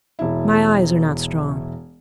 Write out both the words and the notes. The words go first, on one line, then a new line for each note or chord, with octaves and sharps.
"My eyes are not strong."
E1 E4